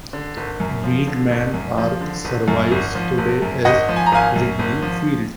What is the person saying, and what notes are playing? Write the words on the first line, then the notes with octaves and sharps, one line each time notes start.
Weeghman Park survives today as Wrigley Field.
D3
G#1
F#2
F3
D3
G#1
F#2
F3
D3
G#1
F#2
G#1
F3
G#1
F#2
G#1 D#5 F#5
F3
G#5
A#5
G#1 F5 G#5
F#2
G#1
F3